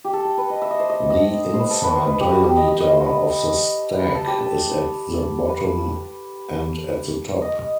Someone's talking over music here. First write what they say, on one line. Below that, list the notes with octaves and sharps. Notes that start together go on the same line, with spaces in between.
The inside diameter of the stack is at the bottom and at the top.
G4
A4
A4
B4
D#5
E5
D#5
C5
D#5
D#5
C5
B4
A4
B4
C5
B4
G4
F#4
G4
D#5
D#5
D#5
C5
B4
B4
A4
G4
A4
B4
D#5